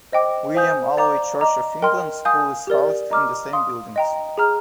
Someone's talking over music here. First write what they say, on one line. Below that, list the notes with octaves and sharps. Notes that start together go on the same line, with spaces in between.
William Alvey Church of England School is housed in the same buildings.
C5 D#5 G5 D6
C5 F5 G#5 D#6 G6
D5 F5 A#5 D6 G6
D#5 A#5 D6
A#4 D#5 G5 C6 F6
F5 G#5 D#6 G6
G4 A#4 D5
D#5 A#5 D6 F6
F5 C6 D#6
D#5 G5 A#5
G#4 D#5 A#5 F6